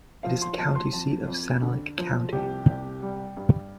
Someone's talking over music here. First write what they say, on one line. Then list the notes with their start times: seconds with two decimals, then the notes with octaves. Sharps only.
It is the county seat of Sanilac County.
0.23 F3 F5
0.42 C6
0.58 F3 A5
0.75 C6
0.93 F2 A5
1.28 F2
1.62 D3
1.98 F3
2.32 C2 G4
2.68 C2
3.02 G3
3.37 G2